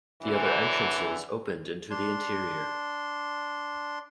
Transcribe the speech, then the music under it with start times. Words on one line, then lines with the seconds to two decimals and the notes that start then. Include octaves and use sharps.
The other entrances opened into the interior.
0.22 F#2 D3 E3
1.91 D4 C6